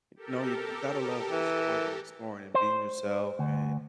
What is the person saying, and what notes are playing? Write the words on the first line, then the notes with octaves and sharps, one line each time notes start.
No. You you gotta love just going and exploring and being yourself and,
G4 A4 A#4
E3
C5
D2